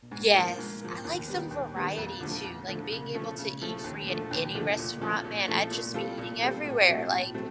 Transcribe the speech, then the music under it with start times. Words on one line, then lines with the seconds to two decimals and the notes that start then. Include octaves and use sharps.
Yes, I like some variety too, like, being able to eat free at any restaurant, man, I'd just be eating everywhere, like
0.11 G#2
0.34 F3 A#3
0.58 G#2
0.81 F3 A#3
1.05 D#2
1.28 D#3 G3 B3
1.51 D#2
1.75 D#3 G3 B3
1.97 F2
2.21 D3 F3 A3
2.45 F2
2.68 D3 F3 A3
2.92 C#3
3.15 F3 A3 C#4
3.38 C#3
3.61 F3 A3 C#4
3.84 D#2
4.08 D3 F3 A3
4.31 D#2
4.55 D3 F3 A3
4.79 A#2
5.01 F3 A3 C#4
5.25 A#2
5.48 F3 A3 C#4
5.71 A#2
5.94 G3 C4 F4 A4
6.18 A#2
6.41 G3 C4 F4 A4
6.65 A2
6.87 F#3 A3 C4
7.11 A2
7.34 F#3 A3 C4